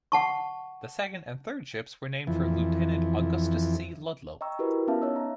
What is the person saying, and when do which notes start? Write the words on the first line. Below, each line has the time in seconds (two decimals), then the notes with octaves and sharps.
The second and third ships were named for Lieutenant Augustus C. Ludlow.
0.12 F#5 A5 C#6
2.27 F2 E3
4.41 D#5 G5 A#5 C#6 E6
4.59 E4 F#4 G4 A#4 B4
4.87 B3 C#4 E5 F5 A5
5.02 D#4 C#5 D#5 E6
5.16 A#5